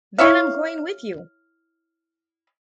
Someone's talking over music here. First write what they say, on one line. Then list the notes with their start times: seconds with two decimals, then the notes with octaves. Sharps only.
Then I'm going with you.
0.18 E4 C#5 E5 F5